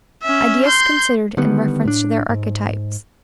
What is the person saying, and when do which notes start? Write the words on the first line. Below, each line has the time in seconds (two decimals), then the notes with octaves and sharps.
Ideas considered in reference to their Archetypes.
0.23 C#4 E5
0.66 C6 G6
1.37 D3 D#3 G3 B3
1.85 A2 D4
2.29 G#2